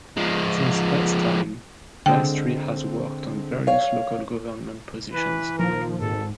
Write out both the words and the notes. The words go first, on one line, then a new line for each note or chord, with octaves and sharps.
Since that time, Maestri has worked in various local government positions.
F3 G#3
D3 G#3 C4 G5
C#5 F5
E3 B4
A#2 D#3 F3 A#4
G#1 G#2 A4